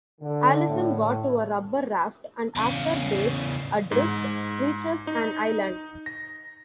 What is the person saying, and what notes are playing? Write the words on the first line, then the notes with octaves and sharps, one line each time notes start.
Allison got to a rubber raft and after days adrift, reaches an island.
D3
A2
E2 C#3
G#2
D#4
A#6